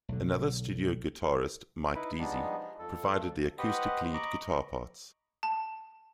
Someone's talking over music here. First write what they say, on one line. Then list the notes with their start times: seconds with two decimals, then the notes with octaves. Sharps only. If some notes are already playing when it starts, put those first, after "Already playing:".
Another studio guitarist, Mike Deasy, provided the acoustic lead guitar parts.
0.09 B1 D3
1.95 D#4 E4 B4
2.19 F3 G3 G#3 B3 D4 D#4
2.79 F2 A4
3.58 G4 B4 C5 D#5 F#5
4.14 D#5 A#5 B5 C#6 D6
5.43 A5